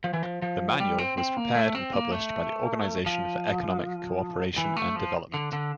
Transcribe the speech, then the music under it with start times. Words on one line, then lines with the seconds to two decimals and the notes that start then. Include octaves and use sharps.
The Manual was prepared and published by the Organisation for Economic Co-operation and Development.
0.04 F3
0.13 E3
0.23 F3
0.42 F3
0.80 G3
0.98 C4
1.18 C4
1.37 A#3
1.55 A3
1.75 C4
1.93 A#3
2.12 A3
3.06 F3
4.58 E3
4.76 A3
4.96 F3
5.34 D3
5.53 D3